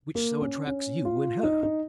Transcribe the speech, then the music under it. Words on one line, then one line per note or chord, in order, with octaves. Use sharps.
Which so attracts you in her.
A#3
C#4
C#4
F4
D#4
D#4